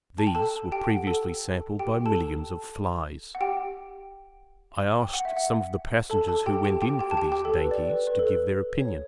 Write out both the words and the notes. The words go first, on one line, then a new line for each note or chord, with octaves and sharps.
These were previously sampled by millions of flies. I asked some of the passengers who went in for these dainties to give their opinion.
A5
G5
A4 A5
G4 G5
F#5
A4 A5
G4 G5
A4 A5
F#5
G4 G5
G5
F#5
E5
F#5
A4 A5
A4 A5
G4 G5
G4 G5
G4 G5
G4 G5
A5
G4 G5
G4 G5
A4
B4
D5
B4
B4
A4
B4
C#5